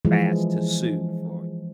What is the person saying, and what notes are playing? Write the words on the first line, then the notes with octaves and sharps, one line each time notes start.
fast to sue for
E3 F3 G#3